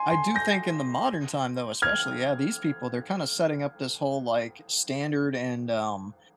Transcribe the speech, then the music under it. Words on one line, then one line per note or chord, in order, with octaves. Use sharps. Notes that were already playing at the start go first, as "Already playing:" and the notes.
I do think in the modern time, though, especially, yeah, these people, they're kinda setting up this whole, like, standard and, um,
Already playing: G#5 C6
G#5 C6
G6 A#6
F6 G#6